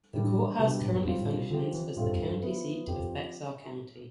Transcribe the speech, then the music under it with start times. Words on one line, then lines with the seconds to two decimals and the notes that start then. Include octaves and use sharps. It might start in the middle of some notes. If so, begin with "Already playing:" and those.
The Courthouse currently functions as the county seat of Bexar County.
0.13 A2 E3 G3 D4
0.59 C3 G3 B3 D4
0.70 B2
0.81 A2
0.94 G2
1.05 F2 G3 C4 F4
1.20 A2
1.35 B2
1.50 D3 F3 C4 G4 C5
1.74 E3
1.96 A2 G3 C4 F4 A4 C5
2.04 G2
2.13 F2
2.20 G2
2.42 F3 B3 E4 B4
2.87 F2 F3 C4 G4
3.00 F2